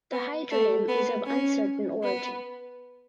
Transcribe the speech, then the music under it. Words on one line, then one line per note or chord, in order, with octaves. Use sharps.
The hydronym is of uncertain origin.
B3
A3
B3
C#4
B3